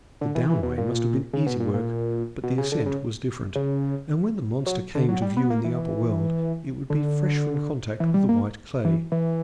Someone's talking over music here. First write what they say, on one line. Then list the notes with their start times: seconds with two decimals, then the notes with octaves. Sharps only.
The downway must have been easy work, but the ascent was different, and when the monster came to view in the upper world, it would be fresh from contact with the white clay.
0.21 D3
0.35 E3
0.49 E3
0.63 B2
0.78 A#2
1.33 C#3
1.46 B2
1.60 A#2
1.74 A#2
2.44 B2
2.58 C#3
2.72 D3
2.86 C#3
3.56 C#3
4.66 F#3
4.95 D3
5.09 F#3
5.22 G3
5.37 B3
5.50 A#3
5.65 E3
6.90 D3
8.00 E3
8.14 G3
8.29 A#3
8.85 E3
9.12 E3